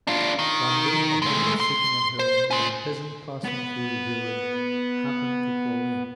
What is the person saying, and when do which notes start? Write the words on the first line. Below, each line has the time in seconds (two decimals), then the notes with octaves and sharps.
One day Pahom was sitting at home, when a peasant passing through the village, happened to call in.
0.07 D4 F4
0.39 D#3
1.22 G#3 A3
1.60 C6
2.19 C5
2.50 C#4 F4
3.44 B3 B4